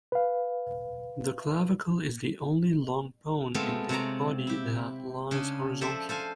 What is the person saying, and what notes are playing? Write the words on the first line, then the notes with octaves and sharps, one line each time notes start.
The clavicle is the only long bone in the body that lies horizontally.
B4 F5
G#3 A3 B3 C4 F4
C3 C4 C#5 D5 A#5
E4 G4
C#3 D4 G#4
F3 A4 C5 D5 E5
A4 C5 F5 G#5